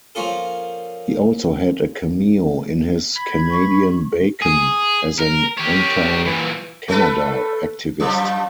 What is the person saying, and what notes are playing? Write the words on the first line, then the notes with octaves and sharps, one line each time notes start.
He also had a cameo in his "Canadian Bacon" as an anti-Canada activist.
F3 A#3 C#4 F4 A4
B5 G#6
C#6
G#4
A#4
G4 C#5
A#2 E3
A3 A4 B4
F#2 F3